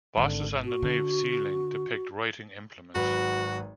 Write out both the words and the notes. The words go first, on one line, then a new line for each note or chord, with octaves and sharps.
Bosses on the nave's ceiling depict writing implements.
G#1 D3
F#4
D3
G#1 F#3 F#4 B4